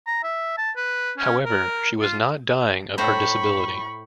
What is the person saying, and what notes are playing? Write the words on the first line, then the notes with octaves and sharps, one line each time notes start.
However, she was not dying of her disability.
A#5
E5
A5
B4
C#4
A#4
F4
A2 C5 A#5 B5 C#6